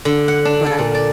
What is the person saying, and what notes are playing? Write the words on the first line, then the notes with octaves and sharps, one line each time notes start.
but, I
D3
F#5
D4
A4
A#2
D5